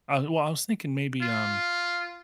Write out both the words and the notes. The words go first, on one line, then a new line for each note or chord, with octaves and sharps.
I well, I was thinking maybe, um,
F4